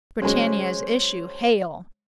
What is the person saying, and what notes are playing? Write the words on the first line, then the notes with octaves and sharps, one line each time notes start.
Britannia's issue, hail!
C#3 F#3 G#3 C5 C#5 C6